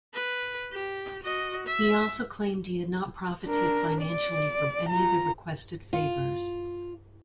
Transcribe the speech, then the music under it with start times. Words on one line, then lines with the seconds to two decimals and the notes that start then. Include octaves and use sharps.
He also claimed he had not profited financially from any of the requested favors.
0.14 B4
0.73 G4
1.23 F#4 D#5
1.66 E5
3.46 D4 A#4
4.02 D5
4.89 F4 A#5
5.93 F4